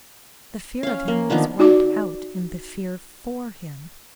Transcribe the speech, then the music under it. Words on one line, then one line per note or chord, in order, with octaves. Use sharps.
The fear of him was wiped out in the fear for him.
C#4 F5
A#3
D#3 F3 B3 D4
D#4 F#4 D5 D6